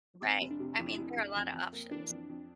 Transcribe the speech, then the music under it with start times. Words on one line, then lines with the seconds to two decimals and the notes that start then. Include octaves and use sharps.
Right. I mean, there are a lotta options.
0.22 F1 C4
0.41 F1
0.51 D4
0.60 C3
0.79 F2 E4
0.86 D4
0.94 F1 E4
1.17 F1
1.36 F2
1.54 F2
1.73 A#3
1.91 E3 D4
2.10 F2
2.29 F2